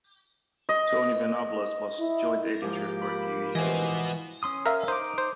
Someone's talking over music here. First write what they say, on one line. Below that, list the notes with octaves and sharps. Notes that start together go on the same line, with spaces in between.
Tony Venables was joint editor for a few issues.
D#5
E4
G#2 F3 A#3 G4 D6 G6
B5
E3 B3 C5 D#5 G#5
C#4 C6 D#6
A#4 E5 F5
D#4 C5 D6
C5